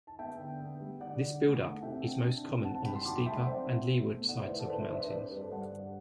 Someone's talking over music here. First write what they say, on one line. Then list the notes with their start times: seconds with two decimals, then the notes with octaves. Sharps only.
This build-up is most common on the steeper and leeward sides of mountains.
0.07 A5
0.19 B3 E5 G5
0.39 D3
0.60 B3
0.80 G3
1.00 D3 D5 F#5
1.21 D3
1.41 A3
1.62 A3
1.71 F#5
1.82 C3 E5 G5
2.03 D4
2.23 D4
2.44 C3
2.64 C4 F#5 A5
2.75 F#5 A5
2.85 G2 G5 B5
2.95 A5 C6
3.05 F#3 B5 D6
3.16 A5 C6
3.26 A3 E5 G5
3.36 D5 F#5
3.46 C4 C5 E5
3.66 B2
3.87 B2
4.08 A3
4.28 A2 D5 F#5
4.38 C5 E5
4.49 E3 B4 D5
4.59 A4 C5
4.69 E3 B4 D5
4.79 C5 E5
4.90 D4 C5 E5
5.00 B4 D5
5.10 C4 B4 D5
5.31 G2 G4 B4
5.41 A4 C5
5.51 G2 D5 F#5
5.72 G2